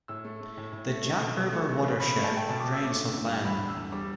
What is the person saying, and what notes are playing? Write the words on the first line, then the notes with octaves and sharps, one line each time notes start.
The Jock River watershed drains of land.
A2 E6
A3
A3
A2
A2
A3
A3
B2
B2
A3
A3
B2
B2 B5
A3 B5
A5
A3 G5
B2 A5
B2 D6
E6
A3 D6
D3
E2
G3
E2 B5
D3
E6
E2
G3 D6